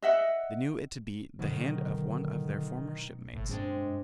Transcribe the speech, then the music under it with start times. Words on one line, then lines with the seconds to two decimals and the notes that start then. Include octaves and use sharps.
They knew it to be the hand of one of their former shipmates.
0.02 D#5 E5 F#5
1.39 B2 D3 D#3 F#3
3.33 G1 A2
3.49 G2 G#3 C4 D4 G5